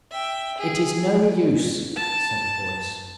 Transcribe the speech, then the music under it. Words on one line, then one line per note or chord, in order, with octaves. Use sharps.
"It is no use," said a voice.
E5 G5
G#4
A5